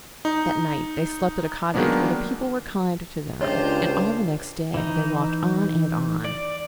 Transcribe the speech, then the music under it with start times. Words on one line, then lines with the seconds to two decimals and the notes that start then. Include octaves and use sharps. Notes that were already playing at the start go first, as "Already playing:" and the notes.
That night they slept at a cottage where the people were kind to them, and all the next day they walked on and on.
0.25 D#4
1.74 D#3 F#3 G#3 A#3 B3 D4
3.41 C#2 D4 F4 G4 C5 C#5 D#5 E5
4.74 E3 D#4
6.25 D5